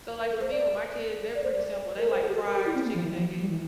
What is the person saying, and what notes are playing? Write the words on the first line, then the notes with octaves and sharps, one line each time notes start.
So, like, for me, with my kids, they're pretty simple. They like fries, chicken nugget,
A#4
A4
C5
D5
D5
C5
D5
A#4
C5
A4
G4
A4
A#4
G4
E4
C4
A#3
F3
E3
F3
F3
G3
E3